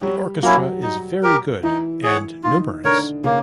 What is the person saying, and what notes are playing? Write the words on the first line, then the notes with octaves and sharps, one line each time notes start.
The orchestra is very good and numerous.
F#3 G3 G4
F#3 A#3 C#4 E4 F#4
D#4
G4 A#4
E3 D#4 E4
G#4 C#5 F#5
D#3 D#4 F4
D3 D4 A#4 C#5
C#3 A#3 C#4